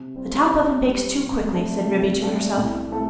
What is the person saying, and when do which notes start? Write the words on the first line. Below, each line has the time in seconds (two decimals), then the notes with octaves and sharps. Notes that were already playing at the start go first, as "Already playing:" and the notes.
"The top oven bakes too quickly," said Ribby to herself.
Already playing: C3
0.16 G3 C4
0.50 C3
0.84 G3 C4
1.19 C3
1.54 A3 D4 A4
1.88 C3
2.22 A3 D4 A4
2.57 C2
2.91 C3 A3 E4 A4